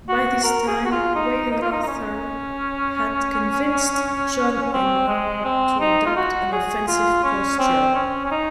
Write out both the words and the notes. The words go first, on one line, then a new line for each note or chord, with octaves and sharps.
By this time, Weyrother had convinced John and Lauer to adopt an offensive posture.
F#4
A#4
G#4
F#4
F4
D#4
D#4
F4
D#4
D#4
C#4
C#4
C4
G#3
C4
D#4
F4
F#4
G#4
F4
C#4
C4
C#4
C#4
D#4